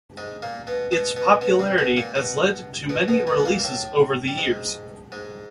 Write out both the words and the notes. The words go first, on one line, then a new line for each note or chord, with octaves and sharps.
Its popularity has led to many releases over the years.
G#2 G#3
A#2 A#3
B2 B3
B2 B3
B2 B3
B2 B3
C3 C4
B2 B3
A#2 A#3
B2 B3
B2 B3
B2 B3
B2 B3
B3
A#2 A#3
A#3
A2 A3
G3
G#2 G#3
G#2 G#3